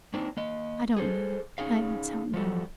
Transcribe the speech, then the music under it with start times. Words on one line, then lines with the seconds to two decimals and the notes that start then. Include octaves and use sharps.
"I don't know, I don't know."
0.14 A#3 C4 D4 D#4
0.37 A#3 D#5
0.97 G#4 A4 C5
1.58 C#4 D#4 G#4 F5
2.34 F3 G3 F#4 A4